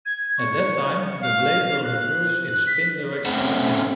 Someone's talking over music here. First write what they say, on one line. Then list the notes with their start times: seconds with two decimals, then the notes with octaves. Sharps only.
At that time, the blade will reverse its spin direction again.
0.06 G#6
0.38 C#6
1.21 F5
1.83 F#6
2.45 F#6
2.67 B6
3.26 A3 C4 C#4 C5 F#5